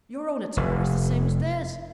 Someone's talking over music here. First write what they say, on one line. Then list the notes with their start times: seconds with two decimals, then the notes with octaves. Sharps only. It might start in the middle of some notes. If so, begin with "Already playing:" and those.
Your own attire is the same as theirs.
0.57 F1